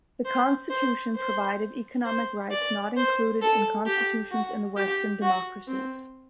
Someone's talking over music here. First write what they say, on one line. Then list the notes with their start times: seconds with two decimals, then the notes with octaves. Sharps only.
The constitution provided economic rights not included in constitutions in the Western democracies.
0.25 C5
0.70 C5
1.15 C5
2.05 C5
2.51 D5
2.96 C5
3.41 A4
3.86 G4
4.31 F#4
4.76 G4
5.22 F#4
5.67 C4